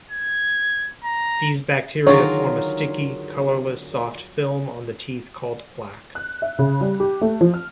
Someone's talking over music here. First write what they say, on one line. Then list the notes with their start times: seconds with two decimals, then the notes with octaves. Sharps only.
These bacteria form a sticky, colorless soft film on the teeth called plaque.
0.11 G#6
1.04 A#5
2.07 D3 D#3 F#3 F4 G#4 A#4 C#5
6.15 F#6
6.42 E5
6.59 C#3
6.81 G3
7.00 G4
7.21 A3
7.41 F3
7.54 F6